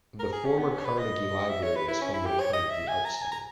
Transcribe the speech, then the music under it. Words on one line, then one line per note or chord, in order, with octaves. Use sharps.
The former Carnegie Library is home to the Carnegie Art Center.
A#4
G#4
C#4
B3
C#4
C#5
B4
D#5
E5
C#5
B4
E4
C#4
E4
G4
C#5
D#5
E5
G#5
A#5
G#5
A#5